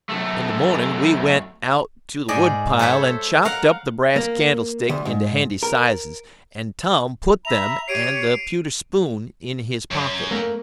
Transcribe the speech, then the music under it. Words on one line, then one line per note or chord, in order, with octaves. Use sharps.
In the morning we went out to the woodpile and chopped up the brass candlestick into handy sizes, and Tom put them and the pewter spoon in his pocket.
F#2 A3
G#2 G#4 D5 D#5
A4 C5 C#5 E5
A#4 F5 F#5
A#3
D2
G#2
A#4
E5 A#5 B5 F7
G4 C#5 C7 D7 D#7
F#2
A3 A#3